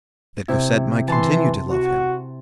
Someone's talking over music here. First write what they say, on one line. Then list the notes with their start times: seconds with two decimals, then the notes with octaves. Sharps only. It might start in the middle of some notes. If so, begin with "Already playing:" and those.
That Cosette might continue to love him!
0.48 C3 E4
1.08 E3 A5 C6
1.71 F#4